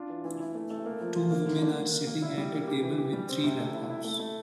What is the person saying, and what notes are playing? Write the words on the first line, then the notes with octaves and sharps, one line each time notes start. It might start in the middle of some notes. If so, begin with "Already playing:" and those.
Two women are sitting at a table with three laptops.
Already playing: D4 F4
E3
E3
E4
A3
A3
A#3
F3
F4
A#3
D3
D4
A#3
A#3
A#3
E4
G3
A#3
G4
E3
G4
G3
C4
C3
A3
E4
E4
A3
A3